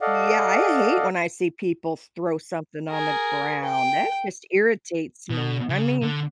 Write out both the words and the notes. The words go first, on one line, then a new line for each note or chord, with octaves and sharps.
Yeah, I hate when I see people throw something on the ground. That just irritates me. I mean,
A4 D5 D#5 F5 F#5
G#4 A#4
G5
B2
C#3
D3